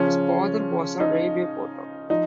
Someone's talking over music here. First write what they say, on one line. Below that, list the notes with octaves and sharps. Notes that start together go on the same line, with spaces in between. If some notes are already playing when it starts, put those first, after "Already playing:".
His father was a railway porter.
Already playing: C#3 F3 C#4
D#4
F3 D#4